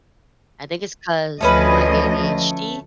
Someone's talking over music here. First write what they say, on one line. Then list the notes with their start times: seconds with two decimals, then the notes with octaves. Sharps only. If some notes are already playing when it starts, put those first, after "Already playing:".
I think it's 'cause of my ADHD
1.41 D2 F3 A3 C#4 B4 D#5